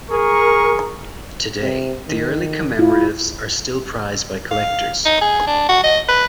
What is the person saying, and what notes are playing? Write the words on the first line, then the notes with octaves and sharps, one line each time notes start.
Today the early commemoratives are still prized by collectors.
G#4 A#4 C#6
C3
D#3
E4 F4
F5
D#4
G#4
D4
F#4
D#5
B4